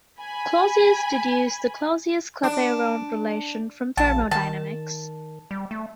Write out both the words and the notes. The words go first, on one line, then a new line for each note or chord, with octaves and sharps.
Clausius deduced the Clausius-Clapeyron relation from thermodynamics.
G#5 B5
D4
A#1 A5
D#3 A5
G3
A3